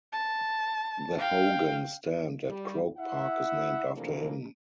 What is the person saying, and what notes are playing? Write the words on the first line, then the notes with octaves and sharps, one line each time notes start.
The Hogan stand at Croke Park is named after him.
A5
F5 G5
G3
E4 E5 F#5
C3 E3 F3 A3 A#3 D4